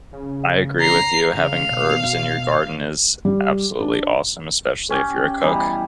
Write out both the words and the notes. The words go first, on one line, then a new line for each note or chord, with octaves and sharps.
I agree with you. Having herbs in your garden is absolutely awesome, especially if you're a cook.
C#3
A#5 C7
C#3 F5
B2
G3
D4
C#4 G4
B2 E3 G3 A#5